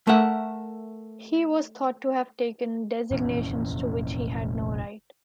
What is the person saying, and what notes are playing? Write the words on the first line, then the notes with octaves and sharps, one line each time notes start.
He was thought to have taken designations to which he had no right.
A3 A#4 E5 F#5
F1 A#2 E3 C#4